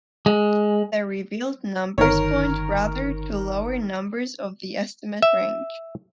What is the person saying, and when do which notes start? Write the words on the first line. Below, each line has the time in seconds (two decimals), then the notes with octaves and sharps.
The revealed numbers point rather to lower numbers of the estimate range.
0.26 G#3
1.98 G1 D#3 A#4 C#5
5.22 E5